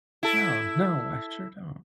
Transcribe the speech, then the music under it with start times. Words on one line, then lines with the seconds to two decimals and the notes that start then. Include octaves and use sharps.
Wow, no, I sure don't.
0.23 E4 A4